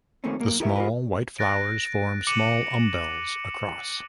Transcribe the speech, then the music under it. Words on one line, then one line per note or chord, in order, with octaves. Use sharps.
The small white flowers form small umbels, across.
D#3 F3 A3 A#3 C4 C#4
B1 A#3 A#4
E4 G4 A#4 B4 D5 E5
F4 G4 A#4 B4
F#6 A6 A#6 D7
D6 C#7 D#7 E7 F#7